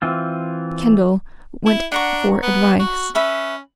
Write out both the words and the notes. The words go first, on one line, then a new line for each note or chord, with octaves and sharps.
Kendall went for advice.
E3 C4 F4
E4
D4 F#5 A#5 C#6
B3
F#4
C#4 B4 E5 B5